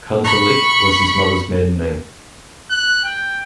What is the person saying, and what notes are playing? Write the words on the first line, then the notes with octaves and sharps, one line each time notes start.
Konsalik was his mother's maiden name.
B5 C#6
F#6
G5